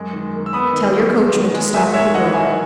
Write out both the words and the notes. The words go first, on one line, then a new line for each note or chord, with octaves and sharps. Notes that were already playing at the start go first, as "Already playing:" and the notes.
"Tell your coachman to stop at the door."
Already playing: F#2 G#3
D#3
A#3
E6
B3 B5 D#6
D#3
F#3
B3
D#3
G#3
A#3 E5 G#5
G#2 C#5 E5
D#3 D#5 F#5
B1 E5 G#5